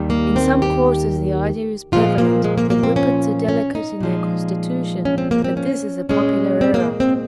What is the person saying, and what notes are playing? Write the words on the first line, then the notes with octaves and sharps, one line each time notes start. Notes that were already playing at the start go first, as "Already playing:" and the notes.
In some quarters the idea is prevalent that Whippets are delicate in their constitution, but this is a popular error.
Already playing: D#2 D#3 G3
A#3
C4
G4
A#2 F3 G#3 F4
A#3
G#3
A#3
A#3
C4
C#4
C#4
D#4
A#2 F3 G#3
C#4
C4
A#3
C4
C#4
A#2 G#3 C#4
C4
A#3
C4